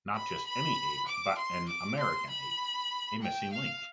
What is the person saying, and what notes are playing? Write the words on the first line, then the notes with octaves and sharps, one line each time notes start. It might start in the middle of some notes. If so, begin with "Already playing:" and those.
Not just any Ape, but an 'American' Ape-a 'Missing Link'!
B5
B5
D6
C6
D6
C6
B5
G5
F5